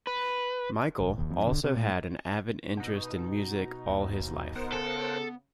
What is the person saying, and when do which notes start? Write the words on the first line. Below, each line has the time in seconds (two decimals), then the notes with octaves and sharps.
Mykle also had an avid interest in music all his life.
0.07 B4
1.00 E1
1.18 D#2
1.30 F2
1.47 D3
1.64 C3
1.76 A2
2.77 B2 D#4
3.89 D#2
4.55 B3 A#4 C5 F#5
4.72 C#3 A4